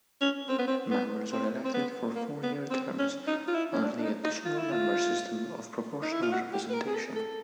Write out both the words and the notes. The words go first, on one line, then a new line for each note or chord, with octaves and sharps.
Members are elected for four-year terms under the Additional Member System of proportional representation.
C#4
C4
B3
C4
B3
C4
C4
B3
A#3
B3
C4
C#4
D#4
F4
E4
C#4
D4
D4
D#4
D#4
F4
E4
F4
D#4
E4
F4
F#4
G4
B4
A#4
G#4
A4
A4